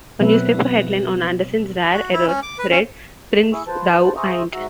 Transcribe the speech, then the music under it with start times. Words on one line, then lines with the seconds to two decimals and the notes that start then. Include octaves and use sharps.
A newspaper headline on Anderson's rare error read "Prince Thou Ain't".
0.20 B2 F#3 B3 C4 B4 E5
1.93 F#4
2.13 E4
2.27 C#4
2.43 D6
2.58 B4
2.71 C#4
3.53 E4 G#4 C#6 E6
3.67 F3 B4 C5 A5
4.17 G#4 C5 E5 A#5 C#6 D#6
4.53 G#2 F#4 E5 A#5